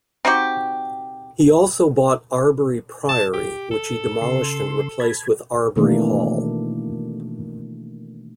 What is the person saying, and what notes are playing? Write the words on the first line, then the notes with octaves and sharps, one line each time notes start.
He also bought Arbury Priory, which he demolished and replaced with Arbury Hall.
C4 D#4 F#4 G4
A5
G4
A4
C#3 C6
A5 B5 G#6
B2 D#3 E3 A3 A#3 D4